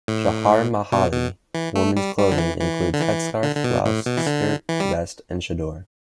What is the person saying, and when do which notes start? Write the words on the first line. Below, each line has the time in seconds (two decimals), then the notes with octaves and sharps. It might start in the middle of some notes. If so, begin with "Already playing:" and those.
Chaharmahali women's clothing includes head scarf, blouse, skirt, vest and Chador.
0.08 A2
0.92 B2
1.13 B2
1.55 E3
1.75 A3
1.96 G3
2.18 G3
2.31 D3
2.38 E3
2.60 E3
2.94 D3
3.01 E3
3.43 D3
3.56 D3
3.64 B2
3.85 A2
4.06 B2
4.17 E3
4.26 D3
4.69 E3
4.80 G3